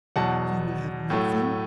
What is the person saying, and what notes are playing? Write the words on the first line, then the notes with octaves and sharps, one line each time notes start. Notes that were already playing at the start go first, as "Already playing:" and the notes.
"You will have nothing!"
E2 B2 F#3 F#5 A5
A2 F#3 A3